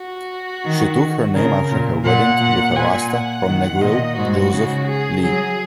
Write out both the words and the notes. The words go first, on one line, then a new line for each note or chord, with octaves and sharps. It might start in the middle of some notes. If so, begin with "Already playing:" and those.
She took her name after her wedding with a rasta from Negril, Joseph Lee.
Already playing: F#4
D#3
C#3 A#4
A#2
A#2 F#5
A#2
A#2 G#5
F#5
D#3
A#2 D#5
G#2 F#4
C#3
G#4
F#3 G#4